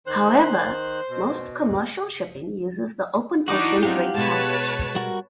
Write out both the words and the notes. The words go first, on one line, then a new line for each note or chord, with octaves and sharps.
However, most commercial shipping uses the open-ocean Drake Passage.
D#3 C5 F#6
B2
E3 D4 D#4 F#4 D6
F#3 C4 G4 F5 F#5
B2 G#3 B4 C#5 A5
G3 F#4 A#4